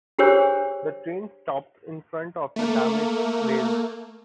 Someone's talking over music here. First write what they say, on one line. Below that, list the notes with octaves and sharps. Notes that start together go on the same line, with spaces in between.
The train stopped in front of the damaged rails.
D4 G4 G#4 A#4 C5 C#5
A3 A#3